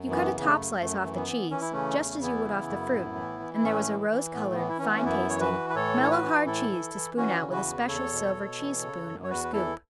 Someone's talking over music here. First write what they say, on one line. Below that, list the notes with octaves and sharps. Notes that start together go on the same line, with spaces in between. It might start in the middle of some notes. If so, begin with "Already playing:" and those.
You cut a top slice off the cheese, just as you would off the fruit, and there was a rose-colored, fine-tasting, mellow-hard cheese to spoon out with a special silver cheese spoon or scoop.
Already playing: F#2
E3 B3
C#3
B3
A3
F#2
F#2 A3
E3
B3
E3
E3 C#4
E4
C#3 A3 C#4
E2
E3 B3 E4
C#3
F#2
A2
E3
E3
E4
A2 A3 C#4
E3
E3
A2 B3
A3
E3 B3
E4
E3 C#4
B3
A3 C#4
F#2 B3 E4
E3 C#5
F#4 B4
E3
B4
A2 A4 C#5
E3 C#5
F#4 B4
E3
A2 E4 A4
E3
E3
E3 C#4 F#4
C#3
F#4 B4
E2
E2 A4 C#5
B2
B2
E3
C#3
F#2
C#5
E2 F#4 B4
B4
E3 E4 A4